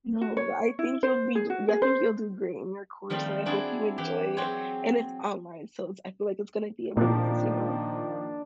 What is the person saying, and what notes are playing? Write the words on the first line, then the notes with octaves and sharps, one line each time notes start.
No, but I think you'll be yeah, I think you'll do great in your course, and I hope you enjoy it. And it's online, so it's I feel like it's gonna be a breeze, you know?
F#4
C#5
E4
C5
G#4
F#4
G#4
C5
D#3 F3 G3 A3 C4
C4 D4 E4 F#4 G#4 A4
E3 G4
F#3 C4 G4 G#4 C5 C#5
A#2 D#3 F3 A#3 D4